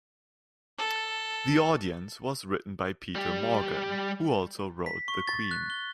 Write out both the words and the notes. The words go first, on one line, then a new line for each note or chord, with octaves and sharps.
"The Audience" was written by Peter Morgan, who also wrote "The Queen".
A4
G3 G4
B6
C#6
A6
F#6
G7